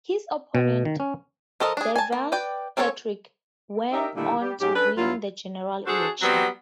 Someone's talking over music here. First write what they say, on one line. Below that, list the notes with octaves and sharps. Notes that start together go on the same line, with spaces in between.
His opponent, Deval Patrick, went on to win the general election.
B2
D#3
C#4
F3 A4 A#4 D#5
D4 G#4
G#5 A5
A#3
B4 D5 G5
C4 C#4 A4 B4 C#5
D#4 G4 A#4 D5 E5
A#2 D3 D#3 G3 A3 E4
G3 G4
G#2 F#3 C#4 G4
C#4 D4 A4 B4
G2 F#3 E4 F4
D4 F#4 G#4 A4 C5
F#3 G3 B3 C4